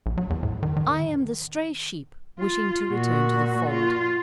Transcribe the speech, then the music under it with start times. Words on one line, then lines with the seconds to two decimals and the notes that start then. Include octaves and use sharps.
I am the stray sheep wishing to return to the fold.
0.06 A#1
0.17 F#3
0.30 E2
0.43 A2
0.63 D#3
0.76 D#3
2.39 F4
2.92 A#2 F#4
3.70 F4